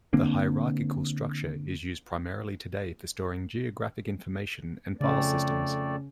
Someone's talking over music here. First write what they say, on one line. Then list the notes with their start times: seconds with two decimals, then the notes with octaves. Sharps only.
The hierarchical structure is used primarily today for storing geographic information and file systems.
0.13 D3 A#3 C4 D4
5.00 F2 C#3 A3 C#4 D5